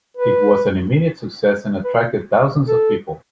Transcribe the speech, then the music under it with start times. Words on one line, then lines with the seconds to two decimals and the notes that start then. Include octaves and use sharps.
It was an immediate success and attracted thousands of people.
0.17 B4
1.85 B4
2.68 A4